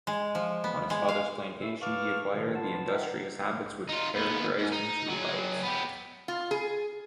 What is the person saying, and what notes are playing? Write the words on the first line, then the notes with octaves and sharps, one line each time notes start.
On his father's plantation he acquired the industrious habits which characterized him through life.
G#3
F3
B3
G#3
F5
C#4 E4 G4 A4
B4 F5 A5 C#6 D6 F6
E2 G2 B2 D#3 F3
B3 F4 A5
G4 A#4 C5 D#5 E5 F#5
D#4 F4
D#2 B3
G#2
D#4
F#3 G#4
B3 G4
F4
G#4